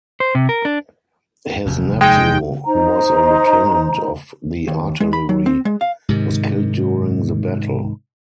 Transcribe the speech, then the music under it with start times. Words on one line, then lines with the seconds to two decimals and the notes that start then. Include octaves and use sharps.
His nephew, who was a Lieutenant of the artillery, was killed during the battle.
0.20 C5
0.35 C3
0.49 A#4
0.65 D4
1.66 F1 D#2
2.01 G#3 D#4 G5
2.65 D#4 C5 A#5
4.68 D#2
5.00 G#3
5.13 B5
5.29 F#3
5.46 C4
5.65 G#3
5.81 F5
6.09 G#2 C3 D#3